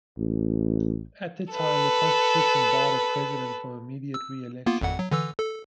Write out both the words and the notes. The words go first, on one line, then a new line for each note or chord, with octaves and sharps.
At the time, the Constitution barred a president from immediate reelection.
A1
A4 B4
E6
A#3 B3 F4
G#1 F2 F#5
F#3
D3 E3 E6
A4